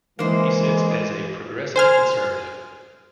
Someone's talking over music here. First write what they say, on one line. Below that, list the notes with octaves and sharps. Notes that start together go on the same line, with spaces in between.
He sits as a Progressive Conservative.
E3 G#3 A#3 C5
C5 G#5 F6